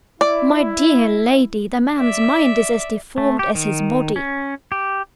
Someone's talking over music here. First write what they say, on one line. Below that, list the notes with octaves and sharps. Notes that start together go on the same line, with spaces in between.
My dear lady, the man's mind is as deformed as his body.
E4 D5
D5 E5
A3
G4
D#3
C#4
G4